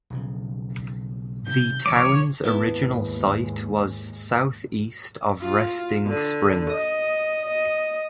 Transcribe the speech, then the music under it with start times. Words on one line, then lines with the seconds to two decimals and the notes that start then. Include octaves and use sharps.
The town's original site was southeast of Resting Springs.
0.10 B1 C#3 F3
1.46 C3 D#3 G3 G6
1.86 C2 E3 G3 C#5 D6
2.44 D#2 G#2 B3 E4 A5
5.42 F4
6.06 D3
6.70 D#5
7.46 D#5